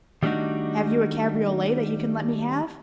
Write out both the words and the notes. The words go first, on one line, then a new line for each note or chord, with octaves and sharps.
"Have you a cabriolet that you can let me have?"
D#3 G3 A3 D4 D#4 F#4